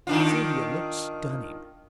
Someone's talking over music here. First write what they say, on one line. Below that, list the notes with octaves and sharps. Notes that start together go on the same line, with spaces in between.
Sylvia looked stunning.
D#3 D4 F4